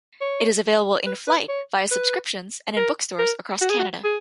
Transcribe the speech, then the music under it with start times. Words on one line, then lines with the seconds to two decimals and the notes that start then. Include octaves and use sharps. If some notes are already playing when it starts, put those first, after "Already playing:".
It is available in-flight, via subscriptions, and in bookstores across Canada.
0.21 C#5
1.06 B4
1.27 B4
1.49 C#5
1.91 B4
2.77 A#4
3.19 A#4
3.61 F#4
3.70 G#4
3.79 F#4
4.04 G#4